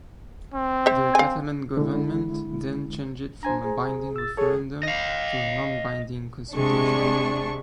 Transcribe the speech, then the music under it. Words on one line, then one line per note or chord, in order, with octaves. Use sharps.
The Catalan government then changed it from a binding referendum to a non-binding "consultation".
C4
C5 E5
F5 G#5
D3 G#3 E4
D4 C5 G#5 A#5
G#4
E6 A6
G#4 A4 C#5 A5
D#5 F5
C3 G#3 D4 C#6